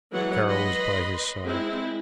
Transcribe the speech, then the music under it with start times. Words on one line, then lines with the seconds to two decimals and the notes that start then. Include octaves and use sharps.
Kara was by his side.
0.13 E3 F#3 G#3 C#5 F#5
0.48 B4 D#5 B5 C6
1.46 G#3 C4 E4